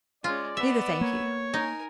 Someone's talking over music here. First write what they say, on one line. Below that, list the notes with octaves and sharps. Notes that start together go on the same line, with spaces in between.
"Neither, thank you."
G#3 C#4 F4 D5
B3 E5 E6
A#3 C#5
D#4 A#4 G#5